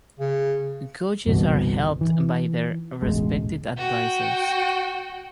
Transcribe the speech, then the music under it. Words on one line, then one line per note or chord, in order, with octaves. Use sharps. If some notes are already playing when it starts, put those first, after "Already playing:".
Coaches are helped by their respective advisers.
C#3
G1 C2 B2 E3
E3
E1 A1 G#3
F#4 G5